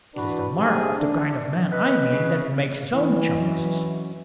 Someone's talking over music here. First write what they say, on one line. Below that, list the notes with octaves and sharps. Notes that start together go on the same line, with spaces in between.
It is the mark of the kind of man I mean that he makes his own chances.
E3 D4 F#4 B4
A3 C4 D4 D#4 G4 G#4
D4
B4 D#5
C#3
E3 E4
F#3 C#4 D#5